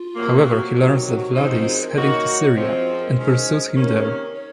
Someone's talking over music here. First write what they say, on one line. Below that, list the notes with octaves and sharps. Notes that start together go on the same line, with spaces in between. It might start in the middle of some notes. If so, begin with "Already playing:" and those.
However, he learns that Vlady is heading to Syria, and pursues him there.
Already playing: F4
C3 F#3 A#3
F#4
C3 D#3 F#3
F#4
F#2 F3 G#3 C4 D#4
G#4
A#4
D#3 A#3 D#4 F#4 C#5
F#2 F3 G#3 C4
F#4
G#4
A#4
F#2 D#3 G#3 C#4 C5
C3 D#3 A#3 C#4 A#4
C#5